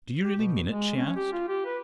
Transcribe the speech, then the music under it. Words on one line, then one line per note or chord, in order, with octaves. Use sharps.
"Do you really mean it?" she asked.
G4
B2
G#3
C#4
G4
F4
G4
B4